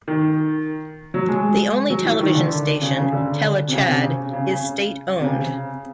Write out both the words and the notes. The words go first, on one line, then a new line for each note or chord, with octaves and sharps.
The only television station, Tele Tchad, is state-owned.
D#3
F#3
G#3
F#3
E3
D#3
D3
C#3
C#3
D3
C3
C#3
C3
C#3
C#3
C#3
C3
C#3